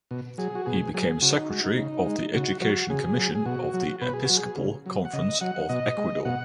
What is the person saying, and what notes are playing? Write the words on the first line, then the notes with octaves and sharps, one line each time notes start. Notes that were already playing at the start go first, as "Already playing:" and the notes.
He became secretary of the Education Commission of the Episcopal Conference of Ecuador.
B2
F#3 G#4
F#4
B2 G#4
F#3 G#4
C#3 F#4
D#4
G#3 F#4
D#4
C#3
G#3
C#3 F#4
F#3 F#4
C#3 G#4
F#3
G#4
B2 F#4
F#3
B2 B4
G#4
F#3 F#4
G#4
C#3
F#3
F#5
C#3 D#5
F#3 F#5
B2 D#5
G#3
B2 F#5